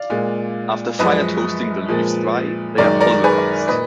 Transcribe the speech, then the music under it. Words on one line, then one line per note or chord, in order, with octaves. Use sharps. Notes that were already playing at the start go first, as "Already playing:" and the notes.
After fire-toasting the leaves dry, they are pulverized.
Already playing: D5 F5
A#2 G#3
F#2 F3 G#3 B4 D#5
A#2 F3 G#3
F#2 D#3 G#3 A#4 D5
A#4 D5
G#4 B4
A#2 B4 D#5